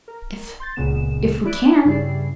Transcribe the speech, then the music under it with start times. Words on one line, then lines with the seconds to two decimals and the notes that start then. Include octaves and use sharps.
"If--if we can."
0.08 A#4
0.60 C6 G6 A6
0.76 C#2 A#2 C#3 B3 E7
1.45 E4 D5 F#6 D7
1.85 G2 C#3 G3 E4 D5 C7